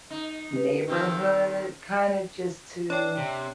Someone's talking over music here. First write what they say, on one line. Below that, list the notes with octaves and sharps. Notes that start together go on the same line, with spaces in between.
neighborhood, kinda just to
D#4
G4 B4
D#3 C4 A4
D4 C#5 G5
C3